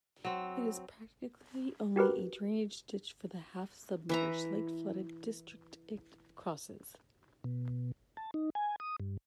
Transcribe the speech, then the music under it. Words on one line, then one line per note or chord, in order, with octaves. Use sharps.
It is practically only a drainage ditch for the half-submerged, lake-flooded district it crosses.
F#3 C4
F#4 G4 A#4 B4
E3 E5 A#5
B2
A5
D#4
G#5
D#6
G2